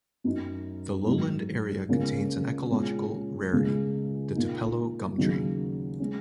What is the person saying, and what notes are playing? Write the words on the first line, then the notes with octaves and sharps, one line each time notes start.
The lowland area contains an ecological rarity: the tupelo gum tree.
F#2 F#3 D#4
G#2 F#3 D#4
C#2 C#3 A#3 C#4
A#2 G#3 C#4
C#2 C#3 G#3
A#2 A#3 D#4
D#2 C#3 F#3 D#4
G#3 C#4